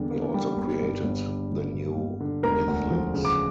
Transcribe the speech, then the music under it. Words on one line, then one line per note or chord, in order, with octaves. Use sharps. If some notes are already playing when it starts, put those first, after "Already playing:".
He also created the New Nithlings.
Already playing: E2 D3 G3
A#3
G3
G1
G2
G1
D3
G1
G2
G1
D3
E1 A#4 A#5
D2
F3
C#3
D6